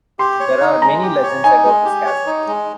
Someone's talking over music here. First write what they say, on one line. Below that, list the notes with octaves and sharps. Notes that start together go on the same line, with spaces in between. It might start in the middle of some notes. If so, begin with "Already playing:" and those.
There are many legends about this castle.
G4 C6
C#5
D#4
G#3 A#5
G4
C#5
D#4 G#5
G#3
G4
C#5
D#4
G#3